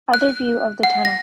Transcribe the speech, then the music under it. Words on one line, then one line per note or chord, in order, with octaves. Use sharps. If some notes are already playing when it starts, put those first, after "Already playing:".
Other view of the tunnel.
F#6
F#5
A#6